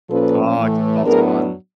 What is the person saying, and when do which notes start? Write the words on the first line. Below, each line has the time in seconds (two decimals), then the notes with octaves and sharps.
Ah, kickball is fun.
0.09 A#2 F3 A#3 C#4 A4 B4
0.57 A2 E3 A3
1.04 A2 F#3 B3 D4 G#4 A#4